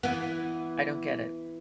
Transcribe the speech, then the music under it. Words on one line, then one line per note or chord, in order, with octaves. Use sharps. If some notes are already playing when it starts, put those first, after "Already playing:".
I don't get it.
E3 B3